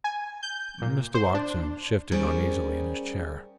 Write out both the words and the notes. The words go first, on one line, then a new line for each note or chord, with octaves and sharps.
Mr. Watson shifted uneasily in his chair.
G#5
G6
A#2
C5
D4
G3 C#4 G#4 A#4 C5 D5